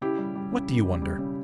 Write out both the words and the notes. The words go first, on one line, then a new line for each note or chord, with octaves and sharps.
"What do you wonder?"
C#3 E4 G4
G3
G3
C#3
C#3
G3
G3
C#3